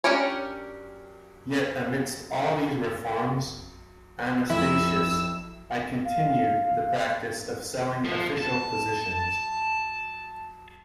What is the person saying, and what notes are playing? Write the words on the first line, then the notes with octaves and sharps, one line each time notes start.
Yet amidst all these reforms, Anastasius I continued the practice of selling official positions.
C#4 D4 G4 A#4 C#5
F2 E4 E5 E6
F5
F3
A5